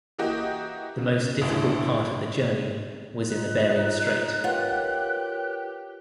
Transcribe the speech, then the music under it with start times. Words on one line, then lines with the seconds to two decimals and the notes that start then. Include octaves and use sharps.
The most difficult part of the journey was in the Bering Strait.
0.19 E3 A#3 F#4 G4 D#5
0.98 C#3
1.41 A1 D2 A2 D3
3.29 D#4 F4 F#6
4.44 F4 G4 A#4 B4 C#5 F#5